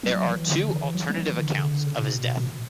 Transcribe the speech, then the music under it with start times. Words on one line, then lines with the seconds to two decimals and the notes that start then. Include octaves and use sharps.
There are two alternative accounts of his death.
0.03 F#3
0.26 E3
0.49 D3
0.72 E3
0.95 F#3
1.10 F#3
1.18 E3
1.40 D3
1.58 C#3
1.63 D3
1.86 C#3
2.00 A#2
2.09 B2
2.39 A#2